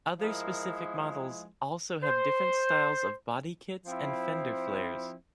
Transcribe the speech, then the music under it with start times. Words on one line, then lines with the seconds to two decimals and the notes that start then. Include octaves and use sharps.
Other specific models also have different styles of bodykits and fender flares.
0.18 F3 G#3 E4 A#4
2.02 C5
3.84 F3 C4 E4